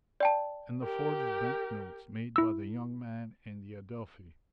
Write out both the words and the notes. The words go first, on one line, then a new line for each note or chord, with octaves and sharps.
"And the forged banknotes made by the young man in the Adelphi?"
D5 G5 A5
G4 A#4
E4 E6